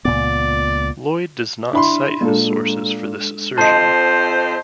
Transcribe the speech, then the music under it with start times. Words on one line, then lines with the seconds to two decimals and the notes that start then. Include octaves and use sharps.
Lloyd does not cite his sources for this assertion.
0.05 C#2 A#2 B3 D5
1.73 D4 E4 B5 C6
2.21 A#2 G#3 D4 A4
3.58 F2 C5 D#5 A5 C6 C7